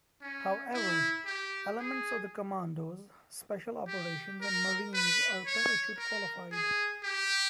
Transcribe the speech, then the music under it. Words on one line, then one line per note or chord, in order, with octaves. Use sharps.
However, elements of the commandos, special operations and marines are parachute qualified.
C#4
E4
G4
G#4
G4
A#4
B4
C#5
A#4
G#4
G4